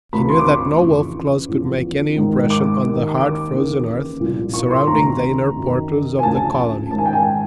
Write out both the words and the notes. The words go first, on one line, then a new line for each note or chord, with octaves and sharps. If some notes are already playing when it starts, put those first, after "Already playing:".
He knew that no wolf-claws could make any impression on the hard-frozen earth surrounding the inner portals of the colony.
D2 C3 F3 B5
C6
D6
C#6
F2 C#3 E3
E2 C#3 F3
G#2 D#3
D6
D#2 D#3
D6
D#2 C#3 E3
C2 A#2 F3
C#6
C6
D2 C3 D#3 A#5
F#2 D#3
G#5
D2 C#3 F3 A5
G#2 D#3 A5
G#5
G5
G#5